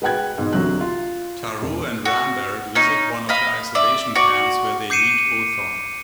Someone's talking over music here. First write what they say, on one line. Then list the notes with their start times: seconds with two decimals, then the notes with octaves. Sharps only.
Tarrou and Rambert visit one of the isolation camps, where they meet Othon.
0.02 G#3 B4 F#5 G5 F#6 G#6
0.38 G#2 B2
0.53 C2 D3 F#3 F#6
0.81 F4
1.62 E1
2.05 F#4
2.75 C#4 D#4
3.29 D#5 F5 B5
3.75 D5 E5
4.15 F#4 D5
4.90 D6 G6 C7 C#7 D#7 E7